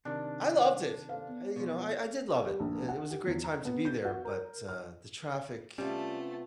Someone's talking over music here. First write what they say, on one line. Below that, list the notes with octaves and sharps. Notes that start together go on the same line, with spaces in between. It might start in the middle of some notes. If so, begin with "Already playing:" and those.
I loved it. You know, I I did love it, i it was a great time to be there but, uh, the traffic,
C3 D#3 D4
A4 C5 F5
B3
B2 F3
G3
A#1
F#5
G4
E2
A#5
B3
G6
F#4
A#4
F6
C3 G3 A3 B3 C#4 F4 A5